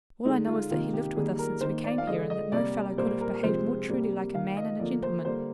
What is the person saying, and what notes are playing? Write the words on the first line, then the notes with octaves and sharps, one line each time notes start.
All I know is that he lived with us since we came here, and that no fellow could have behaved more truly like a man and a gentleman.
D3 G#3 D#4
F4
C3 D#3 A#3 F4
G4
D#3 G3 A#3 G#4
A#4
D#3 C5
A#3
D5
F5
D3 G#3 D#5
D#5
C3 G3 A#3 D5
A#2 G3 A#3 C5
A#4
C3 F3 G#3 C5
C3 G3 A#3
D#3 A#3 F5
D#5
D3 F3 A#3 D5
C5
D3 G3 A#3 C5